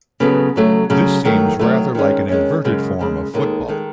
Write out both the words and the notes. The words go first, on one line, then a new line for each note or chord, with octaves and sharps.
This seems rather like an "inverted" form of football.
C#3 F#3 B3 F#4 A4
C#3 F#3 A3
C#3 F#3 A3
D#3 F#3 A3
D#3 F#3 A3
D#3 G#3 C#4
D#3 G#3 C#4
F#2 C#3 G#3
F#2 C#3 G#3
D#2 D#3 G#3 D#4 A4
D#3 G#3 D#4 A4